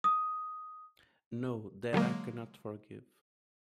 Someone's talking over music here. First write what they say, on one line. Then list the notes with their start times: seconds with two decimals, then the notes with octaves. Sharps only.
No, that I cannot forgive.
0.04 D#6
1.93 D3 F#3 G#3 A#3